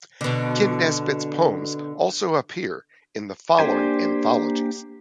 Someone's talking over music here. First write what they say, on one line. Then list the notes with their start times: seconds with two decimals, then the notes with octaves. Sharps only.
Kenn Nesbitt's poems also appear in the following anthologies.
0.21 B2 D3
3.59 A#3 D4 G4 C5 G#5